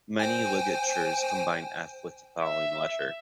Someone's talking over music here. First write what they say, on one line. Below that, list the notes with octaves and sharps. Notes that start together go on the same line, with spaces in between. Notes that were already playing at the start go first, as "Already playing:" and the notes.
Many ligatures combine f with the following letter.
C5 G5 G#5
E5